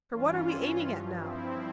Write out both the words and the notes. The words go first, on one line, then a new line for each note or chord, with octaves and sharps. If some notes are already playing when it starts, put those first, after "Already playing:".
For what are we aiming at now?
G2 E3 C#4 F4
G2 F3
C4 E4